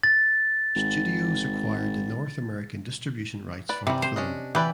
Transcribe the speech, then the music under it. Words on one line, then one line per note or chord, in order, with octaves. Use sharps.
Studios acquired the North American distribution rights for the film.
A6
G#1
B4 D5
C3 E3 G3
C5
C#4 D4 D#5
E3 G4 B4 D5